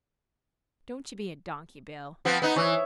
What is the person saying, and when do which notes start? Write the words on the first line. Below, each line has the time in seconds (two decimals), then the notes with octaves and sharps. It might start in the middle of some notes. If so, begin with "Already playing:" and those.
Don't you be a donkey, Bill.
2.25 F3 B3 C4
2.42 B3 D#4
2.56 E3 C#5 E5